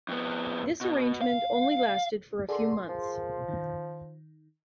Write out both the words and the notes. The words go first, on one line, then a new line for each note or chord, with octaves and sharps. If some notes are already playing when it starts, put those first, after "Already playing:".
This arrangement only lasted for a few months.
F2 B3
B2
F5
D3 G#4 A#4 C6
F3
D#3